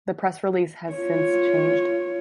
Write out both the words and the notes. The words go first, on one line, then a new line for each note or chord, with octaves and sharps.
The press release has since changed.
F4 C#5